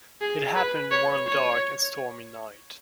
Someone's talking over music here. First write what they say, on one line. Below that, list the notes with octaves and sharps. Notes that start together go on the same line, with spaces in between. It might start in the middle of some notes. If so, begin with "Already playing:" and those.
It happened one dark and stormy night.
G#4
B4
C#5
C#5